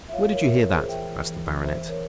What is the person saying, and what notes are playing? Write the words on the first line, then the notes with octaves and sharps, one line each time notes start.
"Where did you hear that?" asked the Baronet.
E5
F4 C#5 F5
A#4 C#5
E5
F4 A#4 C#5
G#4 C5
E3 E5 G5
E3
E3 C5 E5
A#4 C#5